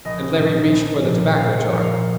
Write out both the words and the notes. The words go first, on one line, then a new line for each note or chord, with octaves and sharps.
And Larry reached for the tobacco jar.
A#1 D#5
A#2 F3
A#1
A#2 F3
A#1 F5
F#5
A#2 F3
F5